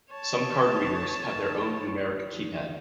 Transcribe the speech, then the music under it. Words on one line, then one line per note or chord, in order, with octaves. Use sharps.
Some card readers have their own numeric keypad.
C#5 A5